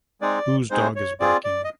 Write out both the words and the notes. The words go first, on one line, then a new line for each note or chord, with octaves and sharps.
Whose dog is barking?
G#3 C4 D#4 G#4 D5
G#3 C4 D#4 G#4 C5
C#5
C4 F4 G#4 D5
D5
D#5